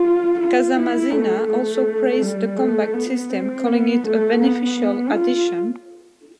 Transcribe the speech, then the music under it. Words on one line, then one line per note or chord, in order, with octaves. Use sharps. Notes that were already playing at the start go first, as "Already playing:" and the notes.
Casamassina also praised the combat system, calling it "a beneficial addition".
Already playing: F4
F4
E4
A3
A3
G3
A3
B3
C4
B3
A3
B3
F4